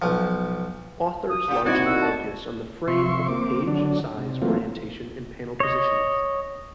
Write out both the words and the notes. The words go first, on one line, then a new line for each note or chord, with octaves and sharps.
Authors largely focus on the frame of the page, size, orientation, and panel positions.
B1 F3
D#6
C#3 G4
C2 C4 D#4 E4 F#4 D5 G#6
E6
A5
C3 F3 E5 C6 C#6
A#3 C4 D6
D3 F#3 D4
C3
E3 F#3 A3 A#3 C4 F4
C#5 D#5